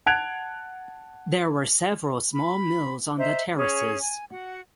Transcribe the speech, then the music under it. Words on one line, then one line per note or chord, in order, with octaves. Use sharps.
There were several small mills on the terraces.
F#5 A5 F#6 G#6 D7 F7
B5
C5 D#5 E5 A#5
C#4 G#4 C#5
G#5
F#4 F#5